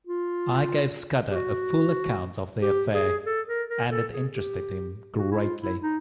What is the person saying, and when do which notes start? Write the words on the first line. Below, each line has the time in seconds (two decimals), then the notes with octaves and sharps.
I gave Scudder a full account of the affair, and it interested him greatly.
0.07 F4
1.32 G4
1.36 F#4
2.62 G4
2.95 G#4
3.26 A4
3.48 A#4
3.70 A#4
3.91 A4
4.12 G#4
4.33 G4
5.18 F#4
5.31 E4
5.40 F4
5.61 E4
5.82 D#4